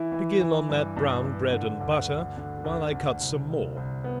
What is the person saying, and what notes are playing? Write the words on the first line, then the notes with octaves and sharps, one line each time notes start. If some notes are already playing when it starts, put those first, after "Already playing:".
Begin on that brown bread-and-butter while I cut some more.
Already playing: E3 E4
E3
E3
G2
G2
G2
D3
D2
D2
D3
D2
D3
C2
C2
C2
B3